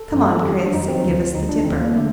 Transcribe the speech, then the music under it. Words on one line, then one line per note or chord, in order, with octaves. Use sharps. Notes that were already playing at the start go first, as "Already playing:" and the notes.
Come on, Chris, and give us the dipper.
Already playing: A4
G2 F3
A4
F2 D#3 G4
D4
F2 D#3 D#4
C4
D2 D3 F3
D2 D3 F3 D#4
D4
D#2 D3 F3 C4
A#3
D3 A3